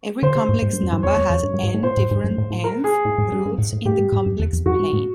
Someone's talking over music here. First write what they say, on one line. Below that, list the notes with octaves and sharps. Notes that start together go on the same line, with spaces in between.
Every complex number has "n" different "n"th roots in the complex plane.
D3 C5
C#3
G#2
G#2
G2
F#2
G2
F2 C#5
E2
F2
G2
G2
G#2
A2
A#2 C5
A2
G#2
G2
A2
A2
A#4
G#4
A2
A2
G2
G2
A2
A2
A2 G4
G#2
A2
G2
E2
F2
F#2 F#4
G#2
A2